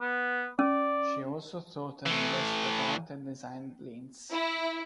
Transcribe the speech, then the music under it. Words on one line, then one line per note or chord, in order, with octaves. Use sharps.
She also taught at University of Art and Design Linz.
B3
C#4 D5
A2 E3
E4